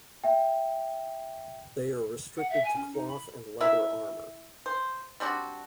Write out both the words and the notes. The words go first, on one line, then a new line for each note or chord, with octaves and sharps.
They are restricted to cloth and leather armor.
E5 G5
F#5
E5
G#5
C#4
D#4
B5
E4 A#4 E5
C5
G3 C4 D4 F#4